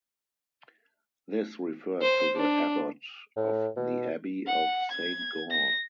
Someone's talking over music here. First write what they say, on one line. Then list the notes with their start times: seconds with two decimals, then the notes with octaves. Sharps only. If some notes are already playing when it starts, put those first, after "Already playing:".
This refers to the abbot of the Abbey of Saint Gall.
2.02 C5
2.36 D4
3.36 A2
3.77 B2
4.47 F#5
4.91 G#6
5.51 A#6